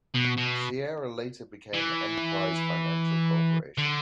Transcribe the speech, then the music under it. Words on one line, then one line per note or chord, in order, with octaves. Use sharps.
Sierra later became Emprise Financial Corporation.
B2
B2
E3
D3